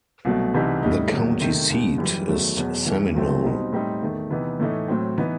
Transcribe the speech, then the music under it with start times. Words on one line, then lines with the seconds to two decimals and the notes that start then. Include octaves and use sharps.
The county seat is Seminole.
0.25 C2 B2 F#3 A3
0.54 C2 C3 E3 G3 D#4
0.83 A2 G3 D#4
1.11 E2 D#3 F#3
1.41 C3 D#3 A3
1.70 D#2 D#3 G3
1.98 F#2 E3 G3
2.27 E2 D#3 F#3 A3
2.57 E2 B2 F#3
2.86 G2 E3 A3
3.14 D#2 D#3 F#3 A3 C4
3.43 B2 G3 C4 D#4
3.72 A2 G3 C4 D#4
4.02 E2 D#3 A3
4.30 C3 E3 B3 D#4
4.60 A2 E3 A3 D#4
4.88 A2 F#3 C4
5.17 E3 B3 D#4